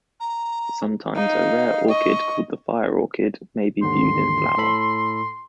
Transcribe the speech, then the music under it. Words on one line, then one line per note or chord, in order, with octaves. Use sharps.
Sometimes a rare orchid called the fire orchid may be viewed in flower.
A#5
D#4 F5
D#5 C#6
D#2 G#2 D3 C6
A2 A4 B5